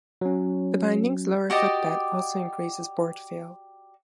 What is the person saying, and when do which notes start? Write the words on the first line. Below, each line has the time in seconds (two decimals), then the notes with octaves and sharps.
The binding's lower foot bed also increases board feel.
0.21 F#3 C#4
1.50 F#4 G4 D5 D#5